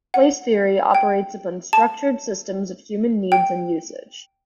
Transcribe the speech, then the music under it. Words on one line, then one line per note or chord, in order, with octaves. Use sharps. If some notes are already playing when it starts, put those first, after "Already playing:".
Place theory operates upon structured systems of human needs and usage.
F#5
G5
A5
G5